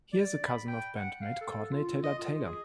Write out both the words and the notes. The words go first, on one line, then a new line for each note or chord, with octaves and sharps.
He is a cousin of bandmate Courtney Taylor-Taylor.
D5
B5
G5
F#5
F5
A4
F4
D#5
F4
G#4